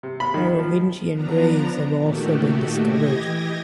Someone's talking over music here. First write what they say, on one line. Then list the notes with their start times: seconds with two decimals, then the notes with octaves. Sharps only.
Merovingian graves have also been discovered.
0.03 C3
0.20 B5
0.34 D#3
0.59 F3
1.11 F3 B3 D4 A#5
1.99 A#2 D#3 A3 F#4 G4
2.88 E3 G4 D#5 G#6 A#6